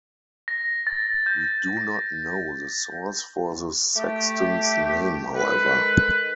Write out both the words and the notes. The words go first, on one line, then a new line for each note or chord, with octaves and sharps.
We do not know the source for the "Sexton's" name, however.
A#6
A6
G6
A#6
A3 G4
D#3 G#3 A4 B4